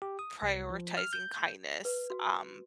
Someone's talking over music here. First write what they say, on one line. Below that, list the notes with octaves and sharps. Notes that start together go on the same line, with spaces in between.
prioritizing kindness, um,
G4
D#6
C2
F3
F6
G6
B4
F#4